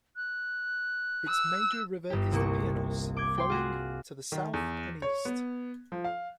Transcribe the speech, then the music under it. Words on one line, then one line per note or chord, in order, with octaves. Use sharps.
Its major river is the Pineios, flowing to the south and east.
F#6
E6
G1 G4
C2 A#3 C#6
D6 G6 G#6
G5 C6
F4 F#4 G#4
D#3
E2
C#5
B3
F3
F5